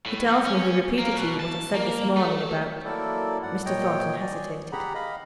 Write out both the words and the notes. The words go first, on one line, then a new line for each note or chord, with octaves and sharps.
'He tells me, he repeated to you, what I said this morning about--' Mr. Thornton hesitated.
A2
E2
C#4
A#3
B2
A5
A#3
A3
F#3 A#3 E4 A4 A#4 D5
G#2 D5 F#5
A#2 C#5 D#5 G5
D5 G#5
G4 G#4 F#5 A#5 B5
D#5 F5 B5